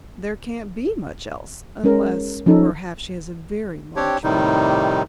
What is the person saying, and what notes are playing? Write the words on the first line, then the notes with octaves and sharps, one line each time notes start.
"There can't be much else--unless perhaps she has a very large finger."
G#3 C#4 A#4
F3 C#4 D#4 A4
C4 D4 G4 C#5
A2 C3 D#3 G3 D#4